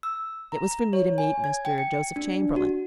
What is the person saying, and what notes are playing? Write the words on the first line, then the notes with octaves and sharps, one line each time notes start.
It was for me to meet Mr. Joseph Chamberlain.
E6
A#5
C#5
G#5
G#6
G5
C#7
D4
F#4